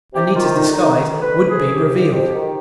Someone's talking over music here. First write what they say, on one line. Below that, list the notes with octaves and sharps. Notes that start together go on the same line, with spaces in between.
Anita's disguise would be revealed.
C3 G4
D#3 F4
D2 D#4
D#3 D#4
D2
D2
B4
D2
G#4
C3
C3 G4
F2
F2
D#3